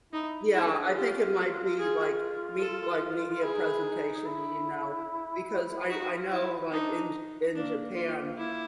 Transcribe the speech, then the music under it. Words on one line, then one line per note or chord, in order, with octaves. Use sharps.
Yeah, I think it might be like me like media presentation, you know, because I I know like in in Japan,
D#4 E4
E4
C#4
D4
F4 G4
G#4
A4
E4 G#4
D#4
E4
D#4
E4
D#4 F#4
E4
F4
E4
E4
D4 D#4
A#3 D4
F4
E4